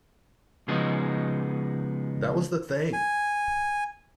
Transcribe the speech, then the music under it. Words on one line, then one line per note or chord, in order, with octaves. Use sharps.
That was the thing.
C#3 F3 G#3 B3 D#4 F#4
G#5